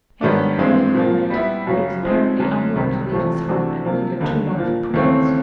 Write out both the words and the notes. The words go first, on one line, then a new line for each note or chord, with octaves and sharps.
Having been lately married, he was apparently unwilling to leave his home, and lingered too long for prudence.
G#2 D#3 F#3 B3 D4
G2 E3 G#3 C4
A#2 F3 A#3
G3 B3 E4
F#2 C#3 F#3
F3 G#3 C4 D#4
F#2 D3 F#3
C2 C3 D#3 G3
E2 C3 F3 A3
C3 E3 A3 D4 F#4
C3 F3 A#3
D#2 D3 G3 A#3 D#4
A#2 F3 A#3
D#2 C#3 E3 A3 C4